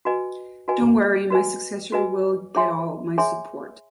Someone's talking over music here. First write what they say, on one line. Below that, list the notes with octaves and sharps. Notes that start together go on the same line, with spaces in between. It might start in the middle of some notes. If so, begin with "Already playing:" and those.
Don't worry, my successor will get all my support.
F#4 B4 D#5 G#5
F#4 B4 D#5 G#5
F#4 B4 D#5 G#5
F#4 B4 D#5 G#5
G#4 C#5 E5 G#5 C6
G#4 C#5 E5 G#5 C6